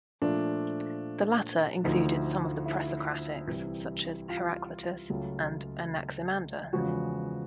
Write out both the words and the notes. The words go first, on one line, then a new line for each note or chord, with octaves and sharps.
The latter included some of the Presocratics, such as Heraclitus and Anaximander.
A#2 F3 A3 D4
D2 D3 F3 A3 D#4
E4
C2 C3 E3
F4
C#2 C#3 F#3 A3
E2 C#3 F3 G#3 F#4